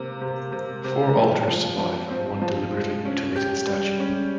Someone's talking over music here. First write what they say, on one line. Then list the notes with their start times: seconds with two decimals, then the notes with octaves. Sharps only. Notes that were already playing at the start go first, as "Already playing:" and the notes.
Four altars survive, and one deliberately mutilated statue.
Already playing: C3 A#3
0.21 C3
0.52 C3
0.84 C3
1.16 F3
1.48 F3
1.78 F3
2.10 C4
2.41 F3
2.74 G#3
3.05 C#4
3.36 G4
3.67 G3
3.99 C#4